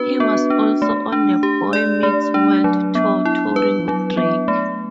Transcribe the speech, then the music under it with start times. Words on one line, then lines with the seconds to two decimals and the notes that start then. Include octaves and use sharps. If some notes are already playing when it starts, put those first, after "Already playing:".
He was also on the Boy Meets World Tour touring with Drake.
Already playing: B3 D4 F#4 B4
0.20 B3
0.50 D4
0.82 A3
1.12 D4
1.43 G4
1.73 D5
2.03 A3
2.34 D4
2.64 F#3
2.95 B3
3.25 E4
3.56 B4
3.88 F#3
4.17 B3
4.48 A3